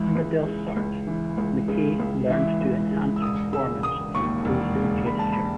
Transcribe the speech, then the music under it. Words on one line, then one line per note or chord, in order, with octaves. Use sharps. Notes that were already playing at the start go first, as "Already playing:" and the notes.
Under Delsarte, MacKaye learned to enhance performance through pose and gesture.
Already playing: C#2 E3
C#2
C#3
C#2
E3
C#2
C#3
C#2
E3 E5
C#2
C#3
E6
E1 D#6
C#3 E6
E1 D#6
D#2 C#6
E1
C#3
E1 B5
A5
B5